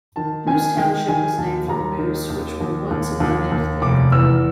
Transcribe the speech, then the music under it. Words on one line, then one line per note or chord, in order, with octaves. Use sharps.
Moose Township was named for the moose which were once abundant there.
D#3 A5
D#3 G#5
D#3 G5
D#3 G#5
D#2 A5
D#2 A#5
D#3
D#2
D#2
D#2
D#2
D#2
F1 D6
E2 E6